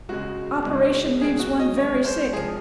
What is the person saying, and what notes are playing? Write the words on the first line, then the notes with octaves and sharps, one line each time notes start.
Operation leaves one very sick.
C#2 C#3 G#3 F#4
C#2 C#3 G#3
D#2 D#3 G#3 G#4
F#4
D#5
D#2 D#3 G#3 C#5
C5
C3 F3 G#3 G#4